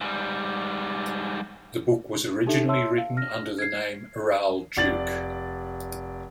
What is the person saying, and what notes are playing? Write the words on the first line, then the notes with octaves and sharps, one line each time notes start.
The book was originally written under the name Raoul Duke.
G#2 G3
D4 D#4 G4 A4 E5
C#5 E5 A5 C6 E6
F5
F6 A#6
G#6 C7
F1 D5 A6 F#7